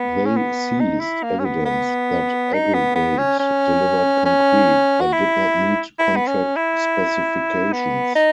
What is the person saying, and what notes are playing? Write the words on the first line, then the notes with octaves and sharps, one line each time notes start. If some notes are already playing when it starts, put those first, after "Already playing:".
They seized evidence that Aggregate delivered concrete that did not meet contract specifications.
Already playing: B3
C#4
B3
D#4
E4
A#3
C#4
B3
B3
D#4
B3
B3
C#4
C#4
C#4
F#4
E4
E4
B3
C#4
E4
B3
D#4